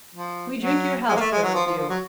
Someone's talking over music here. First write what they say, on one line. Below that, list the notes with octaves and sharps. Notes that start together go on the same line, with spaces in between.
'We drink your health, Curlicue.
F3
F#3
G#3
A#3
A3
G#3
F#3
F3
F3
F3
F#3